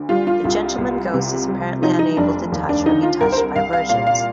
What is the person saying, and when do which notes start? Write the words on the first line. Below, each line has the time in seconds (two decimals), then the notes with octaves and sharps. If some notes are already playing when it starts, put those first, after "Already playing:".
The Gentleman Ghost is apparently unable to touch or be touched by virgins.
Already playing: D2 D3
0.09 G3 F4
0.27 F4
0.44 C2 F4
0.78 C2
1.14 C3
1.48 G3
1.82 F3 D#4
1.99 D#4
2.17 F1 D4
2.52 D#2
2.69 D4
2.86 D3 D#4
3.03 F4
3.21 C2 A#4
3.32 C5
3.37 A#4
3.56 C2 F5
3.73 F5
3.89 A#2 F5
4.07 F5